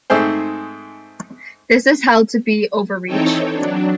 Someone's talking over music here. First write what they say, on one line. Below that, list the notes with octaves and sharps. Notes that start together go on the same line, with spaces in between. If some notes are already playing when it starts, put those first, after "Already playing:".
This is held to be "overreach".
G#2 D#3 A3 C4 G#4 C5
E3 C4 D#4 A4 C#5 G5
F#3 D4